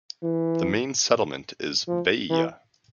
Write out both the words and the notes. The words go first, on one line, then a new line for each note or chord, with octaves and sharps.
The main settlement is Vaiea.
E3
F3
E3